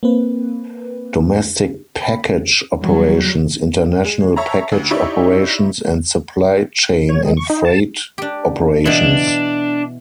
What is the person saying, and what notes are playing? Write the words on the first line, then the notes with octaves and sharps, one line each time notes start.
Domestic Package operations, International Package operations, and Supply Chain and Freight operations.
A#3 C4 B4
B5
F#3 G3
G#3
C#5 E5 A5 A#5
D2
D#4 E4 G4 C#5 D5 E5
C#5
G#3
C#6
D#4
A5
D4 G4
B2 E3 D4